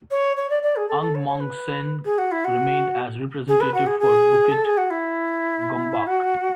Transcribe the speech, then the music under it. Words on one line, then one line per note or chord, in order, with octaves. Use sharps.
Ang Mong Seng remained as representative for Bukit Gombak.
C#5
C#5
D5
D5
G#4
A4
A4
C#5
C#5
B4
G#4
F#4
E4
F#4
G#4
B4
F#4
G#4
G#4
A4
G#4
F#4
E4
F#4